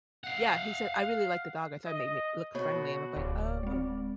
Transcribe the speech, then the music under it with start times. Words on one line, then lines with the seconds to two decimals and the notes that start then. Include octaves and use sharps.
Yeah, he said, "I really like the dog, I thought it made me look friendly." I'm like, "Oh, ok"
0.24 F5 F#5
1.86 D#5
2.55 B2 F#4 C#5
3.17 D1 D5
3.63 G#3 C4